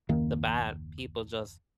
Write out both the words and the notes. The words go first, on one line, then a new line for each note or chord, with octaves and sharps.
the bad people, just,
F#1 D#2 D#3 A#3